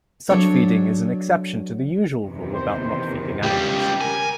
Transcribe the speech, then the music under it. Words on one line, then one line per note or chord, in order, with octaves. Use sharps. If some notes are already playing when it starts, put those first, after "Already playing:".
Such feeding is an exception to the usual rule about not feeding animals.
F#3 D4 A4 C#5
E2 C3 D#3
C5
C#2 G3 G4
A#4 G#5